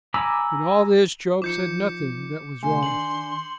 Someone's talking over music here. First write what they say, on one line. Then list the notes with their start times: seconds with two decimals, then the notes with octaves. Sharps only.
In all this Job said nothing that was wrong.
0.14 G#5 A#5 B5 D6 E6
1.42 F3 D#4 D6 G6 C#7
2.63 C3 A3 G#5 C6
2.83 D#3 D4 C7 F#7